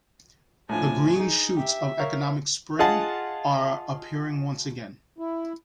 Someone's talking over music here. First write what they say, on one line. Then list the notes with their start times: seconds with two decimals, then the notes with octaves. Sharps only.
The Green shoots of economic spring are appearing once again.
0.69 A2 F3 D4 G#5
1.16 D#4 G#4
1.57 G4 E5
1.99 A#4 C#5 F5
2.79 F4 G#4 D#5 F#5 A5
5.18 E4